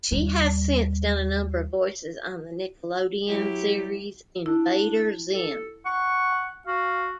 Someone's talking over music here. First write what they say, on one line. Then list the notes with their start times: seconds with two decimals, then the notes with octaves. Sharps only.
She has since done a number of voices on the Nickelodeon series "Invader Zim".
0.12 D#2 G3
3.27 F#3 E4 G4
4.46 D4 E4
5.34 A4
5.86 F#5 C#6
6.67 F#4 F5